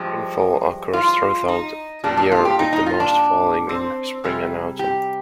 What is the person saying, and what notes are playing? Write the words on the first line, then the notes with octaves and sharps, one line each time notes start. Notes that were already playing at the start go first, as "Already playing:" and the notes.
Rainfall occurs throughout the year with the most falling in spring and autumn.
Already playing: G2 F3 G#3 G4
F4
D#4
A#2 G3 D4
D4
F4
G4
D#4
D#4
F4
D4
C4
C3 G3 G#4
G4